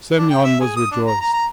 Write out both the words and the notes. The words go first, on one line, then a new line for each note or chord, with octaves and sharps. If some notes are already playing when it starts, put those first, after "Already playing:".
Semyon was rejoiced.
D4
G5
E5
G#4
D#6
D4
A#5
A#5
A#5